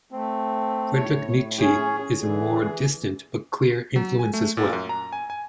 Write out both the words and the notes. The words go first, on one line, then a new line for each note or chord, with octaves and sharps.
Friedrich Nietzsche is a more distant, but clear, influence as well.
A3 C4
A2 C#5
C#4 G#4 C#5
D3 E3 G#4
F#3
G#5
A3
A#2
F#2
A#5
G#5
G#5